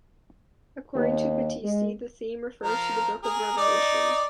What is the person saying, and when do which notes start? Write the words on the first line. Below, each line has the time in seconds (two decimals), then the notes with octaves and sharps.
According to Battisti, the theme refers to the "Book of Revelation".
0.95 D#2
1.63 G#3
2.63 F3 A#4
3.23 G#4 A#4
3.57 D#4 D5